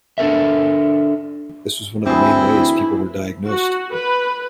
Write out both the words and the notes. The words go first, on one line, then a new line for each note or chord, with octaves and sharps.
This was one of the main ways people were diagnosed.
D4 A4 A#4 E5
D2 E3 C4 E4 G#4
F#4
B4